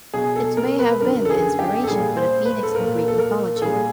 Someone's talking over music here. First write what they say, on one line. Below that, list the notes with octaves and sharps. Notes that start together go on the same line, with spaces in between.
It may have been the inspiration for the phoenix in Greek mythology.
B2 F#3 G#4
A4
A#4
B4
F#2 D3 F#3 A#4
A4
G#4
G4
A4
A#2 G3 G#4
C5
B4
A4
A#2 F#3 A#4
A4
A4
A#4
A4
A#2 G3 G#4